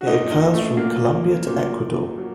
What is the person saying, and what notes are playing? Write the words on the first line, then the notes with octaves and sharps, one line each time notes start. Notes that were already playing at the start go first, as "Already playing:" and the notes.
It occurs from Colombia to Ecuador.
F#4
A#2 F#3 D#4
D#4
A3
A#2 F#3 A#3
A#2 F#3
F#3